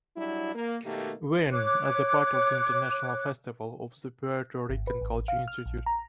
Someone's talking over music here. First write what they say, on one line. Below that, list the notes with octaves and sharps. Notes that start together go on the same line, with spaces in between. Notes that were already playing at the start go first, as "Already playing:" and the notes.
Warren, as part of the International Festival of the Puerto Rican Culture Institute.
F#3 G3 D4 E4
A#3
B2 D#3 A3 A#3 G4
C#5 D6 F#6
G#1
B4
A1
F5
F6
A#1
A#5